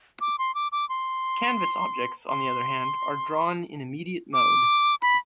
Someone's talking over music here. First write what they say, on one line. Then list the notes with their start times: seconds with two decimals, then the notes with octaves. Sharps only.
Canvas objects, on the other hand, are drawn in immediate mode.
0.21 D6
0.39 C6
0.55 D6
0.72 D6
0.89 C6
2.28 C6
4.33 D6
5.02 B5